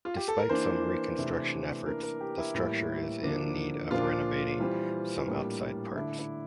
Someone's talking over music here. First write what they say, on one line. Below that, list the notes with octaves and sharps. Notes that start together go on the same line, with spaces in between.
Despite some reconstruction efforts, the structure is in need of renovating some outside parts.
F4
G4
A4
A#4
E3 A#3 D4 C5
C3 E3 A3 D4
E3 A#3 D4 A#4
A#4
G4
E4
A2 E3 G3 A#3
D3 F3 A#3 D4
A#2 F3 A#3 D4 F4
E3 G3 C4
A2 G3 A#3 D4
D3 A3 D4 E4
E4